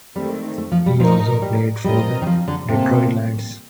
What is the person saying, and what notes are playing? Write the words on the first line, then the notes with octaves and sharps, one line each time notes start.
He also played for the Detroit Lions.
D#3 G3 A3 C4
A3
F3
G3
F3 A3 D#4 A#4
G3
F3 G3 C4 F4 A#4 D#5
D#3
F3
D3
C3 G3 A#3 F4 A4